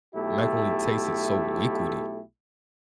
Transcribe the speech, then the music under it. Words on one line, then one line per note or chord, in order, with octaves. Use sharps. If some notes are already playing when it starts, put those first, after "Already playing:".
macaroni tasted so liquidy.
B1 A3 E4 G4